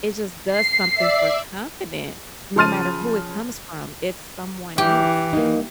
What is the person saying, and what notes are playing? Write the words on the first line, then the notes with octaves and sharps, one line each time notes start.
It just does something for confidence, no matter who it comes from, it's someone else, you know?
C7
D5 E5
C#3 F3 C6 F6 A6 D#7
E3 G4
A#3 D#4